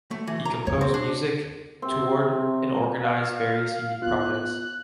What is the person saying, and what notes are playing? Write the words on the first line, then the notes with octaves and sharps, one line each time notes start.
He composed music, toured and organized various unique projects.
A3
E3
A#5
C#5
C4
D4
C3 C4
F5
B3 F4 F#6